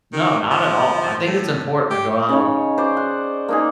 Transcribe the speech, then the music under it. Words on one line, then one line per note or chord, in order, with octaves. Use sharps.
No, not at all, I think it's important to go out
D#3
F3
A2
G4
C#3 D#4 C#5
C5 D5
F#5
A#3 D#4 G#4